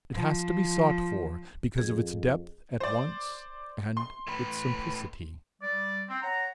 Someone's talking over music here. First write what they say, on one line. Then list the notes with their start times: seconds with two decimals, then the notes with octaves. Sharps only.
It has to be sought for because of its depth at once and its simplicity.
0.13 F3
1.78 F2 G#4
2.80 C5 D5
3.97 C6
4.27 A2 B4
5.62 G3 D5
6.09 C4
6.22 C#5 F#5 A#5